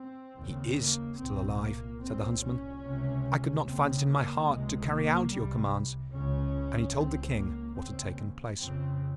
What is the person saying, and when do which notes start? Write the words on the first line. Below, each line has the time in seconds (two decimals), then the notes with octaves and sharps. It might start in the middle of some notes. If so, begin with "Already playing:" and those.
'He is still alive,' said the Huntsman. 'I could not find it in my heart to carry out your commands,' and he told the King what had taken place.
Already playing: C4
0.36 D#2 C#3
0.77 A#3
1.17 C2 A#2 C4
1.59 A#3
2.00 C2 A#2 C4
2.41 C#4
2.82 C#2 C3
3.65 D#2 C#3 C4
4.06 A#3
4.47 C#2 C3 G#3
4.89 A#3
5.29 C2 C3 G3
6.12 C#2 C#3 C#4
6.94 C#2 C#3 C4
7.35 A#3
7.76 D#2 C#3 C4
8.58 F2 C#3 C4